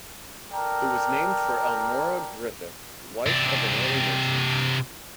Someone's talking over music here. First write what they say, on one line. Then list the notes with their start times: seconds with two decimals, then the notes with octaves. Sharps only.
It was named for Elnora Griffith, wife of an early merchant.
0.53 A4 A#4 D5 G5
3.27 C3 D4